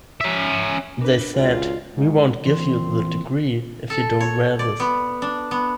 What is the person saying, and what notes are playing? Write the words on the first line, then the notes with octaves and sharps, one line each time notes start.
They said, 'We won't give you the degree if you don't wear this.
C#4 E5
D4 A#4 B4
C#2 F4 F#4 D5 D#5
G#2
A#2 E3 C4 C6
A4
C#5
D5
B3
D4
B3